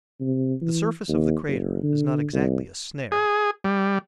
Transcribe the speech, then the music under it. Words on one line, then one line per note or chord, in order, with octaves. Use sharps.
The surface of the crater is not exactly a snare.
C3
E3
D#2
F#1
D3
C2
G#4
G3